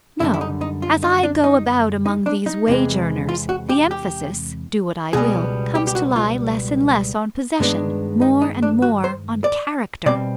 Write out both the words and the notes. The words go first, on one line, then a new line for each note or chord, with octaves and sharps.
No!--as I go about among these wage-earners, the emphasis--do what I will--comes to lie less and less on possession--more and more on character.
F#2 D3 G3 E4
E4
D#4
D#4
F4
D#4
D4
D#4
D#4
D4
D#4
E2 C3 E3 G#3
F4
F#4
G4
G4
C#2 B2 G3 B3 G#4
G4
G4
F#4
F4
G2 D#3 G#3 B3 D4
D#4
D#4
D4
F#4
C5
D5
B2 G3 C4 D5